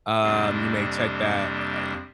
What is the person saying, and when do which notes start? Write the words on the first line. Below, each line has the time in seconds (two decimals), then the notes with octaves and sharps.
um, you may check that, uh,
0.23 F2 C3 G3 A#3 D4